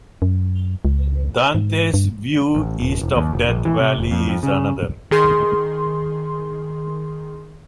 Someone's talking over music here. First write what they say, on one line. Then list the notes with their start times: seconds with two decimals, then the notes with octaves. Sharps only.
Dante's View east of Death Valley is another.
0.22 F#2
0.85 C#2
1.55 G#2
1.94 G2
2.55 A1
2.80 D#1
3.02 E1
3.16 D#2
3.33 F1
3.48 A#1
3.65 E3
3.80 C3
3.98 F1
4.11 F2
4.29 F2
4.43 C#3
5.11 D#3 G#4 C6